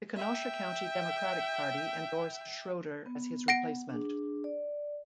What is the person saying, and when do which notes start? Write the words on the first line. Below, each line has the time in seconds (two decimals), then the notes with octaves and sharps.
The Kenosha County Democratic Party endorsed Schroeder as his replacement.
0.16 E5 G5
3.06 B3
3.48 F#5 A#6 D7
3.90 D4 G#4
4.44 D5